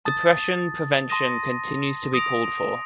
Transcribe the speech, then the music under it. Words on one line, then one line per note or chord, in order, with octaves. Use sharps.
Depression prevention continues to be called for.
A5 D#6 A6
A5 C6 D#6 A#6 D#7
D#6 A#6 D7 F7